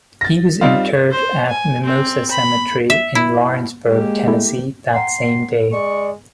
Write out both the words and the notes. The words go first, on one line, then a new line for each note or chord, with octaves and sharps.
He was interred at Mimosa Cemetery in Lawrenceburg, Tennessee, that same day.
A6 A#6
G3 C4 D#4 F4
C5
G#5
C4
B5
E5
E4
G#3 A#3 G4
A3 E4
F#5 G5 A#5 C6
G#3 D5 C#6